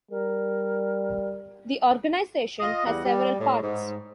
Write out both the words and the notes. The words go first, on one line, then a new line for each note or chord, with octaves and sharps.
The organisation has several parts.
G3 A#4
F4 D#5
E2 G3 F#5
G3
A2
G#2